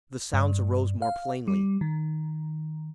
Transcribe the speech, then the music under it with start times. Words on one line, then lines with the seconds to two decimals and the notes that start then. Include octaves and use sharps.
The sounds arose more plainly.
0.33 G2
1.02 F5
1.48 G3
1.81 D#3